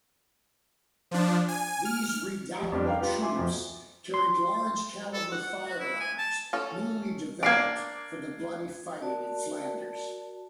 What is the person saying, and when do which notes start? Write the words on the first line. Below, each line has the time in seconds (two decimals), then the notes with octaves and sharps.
These redoubtable troops carried large-calibre firearms newly developed for the bloody fighting in Flanders.
1.11 F3 D4
1.48 G#5
1.85 F6
2.58 G#1 G3
2.72 F2 G3 D4 D5
2.85 F5 G5 A#5 D6
2.99 F4 G4 B4 F5 G5
3.22 E5 G#5 C6 D6
3.36 F2 B2 F3
4.14 C6
5.13 A4
5.32 F#5
5.66 F#4
5.80 E4
6.00 G#5
6.18 A5
6.53 C#4 A4
7.43 A#3 D4 G#6 C7 D7
9.02 F#4 A#4 D5 A5